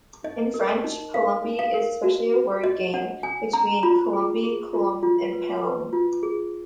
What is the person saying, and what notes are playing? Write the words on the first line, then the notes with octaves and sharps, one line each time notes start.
In French, "Palombie" is especially a word game between "Colombie, Colombe" and "Palombe".
D#4 D#5
A#4
D#5
D#4
A#4 F5
D#4
F5
A#4
F#4
F#4
F#4 D#5
D4 F#5
D4 G#5
D4 A#5
F4 B5
G#4
G#4
F4
F4
B4
B4
F4
G#4